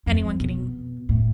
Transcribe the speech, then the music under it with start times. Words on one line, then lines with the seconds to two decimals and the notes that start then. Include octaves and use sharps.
anyone getting
0.06 F2
0.40 B2
1.09 A2